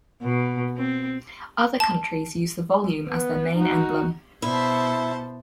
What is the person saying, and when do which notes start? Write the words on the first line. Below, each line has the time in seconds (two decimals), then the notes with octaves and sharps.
Other countries use the volume as their main emblem.
0.23 B2
0.77 C4
1.80 A5
3.09 B3
3.56 D#4 F#4
4.42 B2 E4 C5 A5